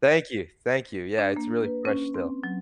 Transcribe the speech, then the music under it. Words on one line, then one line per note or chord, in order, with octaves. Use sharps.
thank you, thank you. Yeah, it's really fresh still.
D4
A#3
B4
C#4
C4
F#3